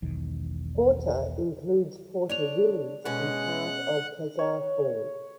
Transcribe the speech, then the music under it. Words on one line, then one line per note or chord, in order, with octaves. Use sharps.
Porter includes Porter village and part of Kezar Falls.
E1 B1 E2 D#3
D4 C#5 D5 F7
B2 G#3 C#4 D#5 F#5 F#6
C#5